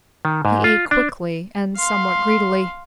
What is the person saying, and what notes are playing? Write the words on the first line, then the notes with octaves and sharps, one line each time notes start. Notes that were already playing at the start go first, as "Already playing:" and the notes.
He ate quickly and somewhat greedily.
D#3
G#2
F4
D4
F5 C6